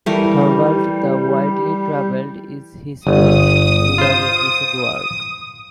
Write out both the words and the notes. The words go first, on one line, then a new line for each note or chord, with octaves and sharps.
Thorvald the Widely-Travelled is his best regarded recent work.
E3 G3 A3 A#4
G1 D#6
F4 C5